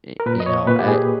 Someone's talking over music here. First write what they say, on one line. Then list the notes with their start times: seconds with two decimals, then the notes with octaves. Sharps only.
y you know, I
0.20 A#4
0.26 A#2 B4
0.40 D#5
0.46 C#5
0.67 A#2 B4
0.79 G4
0.88 G#4